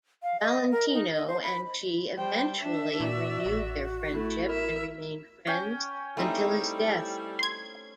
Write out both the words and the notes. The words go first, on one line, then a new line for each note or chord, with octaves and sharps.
Valentino and she eventually renewed their friendship, and remained friends until his death.
F5
D#5
A#4
D#4
D#5
C5
B5
G3 C5 G5
D4 E5
A#2 F#4 D5
A1
A3 E4
A#4 E5
C#4 G5
G3 A3 C4 D#4 E4
C6 G#6